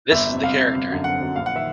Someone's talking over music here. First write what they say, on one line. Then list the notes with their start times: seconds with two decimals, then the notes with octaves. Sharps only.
This is the character!
0.12 G1 E5
0.28 F2 C3
0.43 G1 F5
0.59 F2 C3
0.74 G1
0.90 F#2 D3 F#3
1.04 G1 F#5
1.20 F#2 D3 F#3
1.36 A#1 F5
1.46 F#5
1.55 D#3 E5